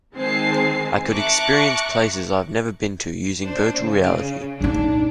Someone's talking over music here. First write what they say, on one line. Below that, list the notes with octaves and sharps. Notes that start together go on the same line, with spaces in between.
I could experience places I've never been to using virtual reality.
D#3 G#3 C4 G#5 A5 C7
E5 A5 A#5 C#6 D6 F#6
D4 C5
C#3
A#1 D4 D#4